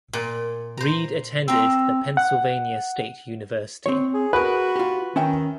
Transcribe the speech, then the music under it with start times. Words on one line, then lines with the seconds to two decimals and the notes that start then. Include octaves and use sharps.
Reid attended the Pennsylvania State University.
0.13 A#2
0.77 C5 A#5
1.48 C4 A#5 E6
2.17 F#5
3.86 C4 C#5
4.14 G#4
4.33 F#4 G#4 A#4 B4
4.76 F4 G4
5.16 D#3 C#4 E5 G5